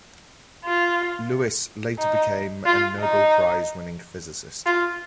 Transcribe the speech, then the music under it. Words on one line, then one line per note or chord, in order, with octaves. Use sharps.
Luis later became a Nobel Prize-winning physicist.
F4
D#4
F4
D#4
F4